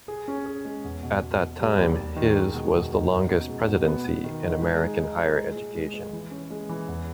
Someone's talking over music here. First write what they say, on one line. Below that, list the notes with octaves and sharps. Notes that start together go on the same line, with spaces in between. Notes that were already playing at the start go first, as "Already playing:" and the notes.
At that time his was the longest presidency in American higher education.
G#4
C#4
G#4
G#3
E2
B2
B2
B2
G3
D#2
D#2
D#3
G#3
B2
E2
D#4
C#4
B2
G#3
B2
B3
B3
D#3
D#4
G#3
D#4
D#4
G#3
G#3
G#3
G#3
G#3
E3
C#4
G#3
E3
E2